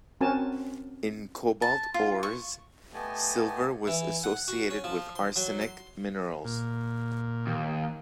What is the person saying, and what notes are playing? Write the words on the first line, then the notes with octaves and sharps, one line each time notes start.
In Cobalt ores, silver was associated with arsenic minerals.
C4 C#4 F#4 A#4 G#5 A5
A5
F4
C#6
A3 B3 G4 D#5 G#5 A5
E3
F#5
F#4
C#4
F3
C6
F#3
C6
A#2
D#2